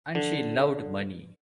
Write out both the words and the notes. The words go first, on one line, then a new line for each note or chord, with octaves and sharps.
And she loved money.
D3